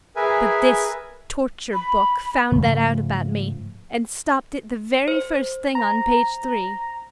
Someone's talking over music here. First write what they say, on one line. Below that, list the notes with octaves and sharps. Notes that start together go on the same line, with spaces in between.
But this torture book found that out about me, and stopped it the very first thing on page three.
G#4 A#4 B4 E5 G#5
B5
G#2 C#3 F3 A3
C5
A#5